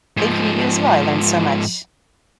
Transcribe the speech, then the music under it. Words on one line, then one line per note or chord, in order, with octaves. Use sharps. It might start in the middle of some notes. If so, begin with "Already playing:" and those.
Thank you, you as well, I learned so much.
G#2 F3